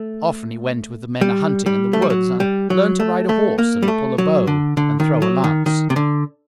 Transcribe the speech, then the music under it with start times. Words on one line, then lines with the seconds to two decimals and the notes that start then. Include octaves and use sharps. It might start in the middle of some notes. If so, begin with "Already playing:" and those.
Often he went with the men a-hunting in the woods and learned to ride a horse and pull a bow and throw a lance.
Already playing: A3
1.21 G3
1.66 G3
1.93 A3
2.02 G3
2.10 F#3
2.40 G3
2.70 F#3
3.00 A3
3.29 A3
3.58 A#3
3.83 G3
3.88 A3
4.18 F#3
4.47 D3
4.77 D3
5.00 D#3
5.22 F#3
5.44 D#3
5.66 D#3
5.90 C3
5.96 D3